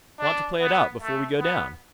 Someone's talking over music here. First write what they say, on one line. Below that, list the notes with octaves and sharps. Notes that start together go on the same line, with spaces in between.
"Want to play it out, before we go down?"
D4
B3
A3
B3